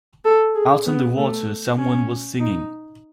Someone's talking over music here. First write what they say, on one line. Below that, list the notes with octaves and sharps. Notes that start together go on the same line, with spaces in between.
Out on the water someone was singing.
A4
G#4
B3
A3
C#4
D#4